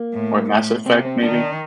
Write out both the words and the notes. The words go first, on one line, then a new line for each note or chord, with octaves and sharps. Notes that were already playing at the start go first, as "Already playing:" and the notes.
Or Mass Effect, maybe.
Already playing: A#3
A2
A2
C3 C4
C4
D#3 D4